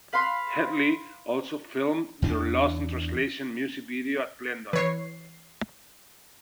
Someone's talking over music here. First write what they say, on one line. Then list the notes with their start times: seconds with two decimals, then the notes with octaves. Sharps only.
Hedley also filmed their Lost in Translation music video at Glendon.
0.13 B4 F5 B5 C6
2.22 E2 E3 D4
4.73 E3 B4 C#5 C7